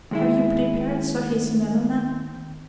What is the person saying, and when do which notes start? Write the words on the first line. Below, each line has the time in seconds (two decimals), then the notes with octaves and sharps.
"Have you prepared Sofya Semyonovna?"
0.11 D#2 G#3 E4